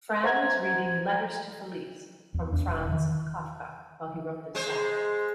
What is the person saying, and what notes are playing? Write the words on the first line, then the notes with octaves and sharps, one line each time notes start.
Fran was reading Letters to Felice from Franz Kafka while he wrote this song.
C5 F#5 A#5 G#6
E2
D4
E1
D#3
G#3 C5